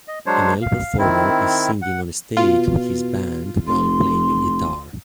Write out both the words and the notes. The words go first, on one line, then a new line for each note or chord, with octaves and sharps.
A male performer is singing on a stage with his band while playing a guitar.
D#5
F#3 G#3 D4 C5 C#5
F5
D#3 C4 E4
F#5
B2 F4
F1 C6